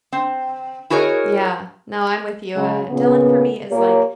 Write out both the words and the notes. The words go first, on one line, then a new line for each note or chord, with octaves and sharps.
Yeah. No, I'm with you. Uh, Dylan for me is, like,
C4
E4 F#4 G#4 A#4 C#5 D#5
C#3 G#3
A#2 C#3 B3
A#2 A#3 G4 A#4 C#5